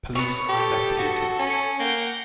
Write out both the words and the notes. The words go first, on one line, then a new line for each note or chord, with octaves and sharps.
Police are investigating.
B3 C#5
G4 A4
F#4
C#4
A#3 F#5 G5